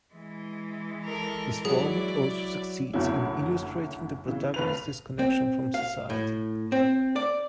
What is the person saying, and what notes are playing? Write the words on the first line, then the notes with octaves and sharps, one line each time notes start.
This format also succeeds in illustrating the protagonist's disconnection from society.
E3 G#3
A4 A#4
F#3 E4 G#4 D5
F#1 D2 F#3 C#4 E4
C#3 E3
F1 B4 F7
C4
F5
A2
C4
D5